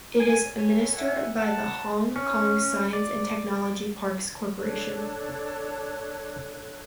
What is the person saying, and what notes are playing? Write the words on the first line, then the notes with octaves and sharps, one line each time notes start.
It is administered by the Hong Kong Science and Technology Parks Corporation.
G#5
A4 B4 C#5 G#5
E5 F#5 G#5
F#5 A5
C#4
D5
D4 A4 C#5 F#6